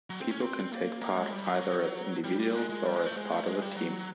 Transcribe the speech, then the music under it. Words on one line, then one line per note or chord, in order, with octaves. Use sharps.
People can take part either as individuals or as part of a team.
F#3
C4
C#4
C4
A#3
A#3
G#3
G3
F#3
G3
G3
G#3
G#3
G3
G#3
A3
G#3
A3
G#3
G3
F#3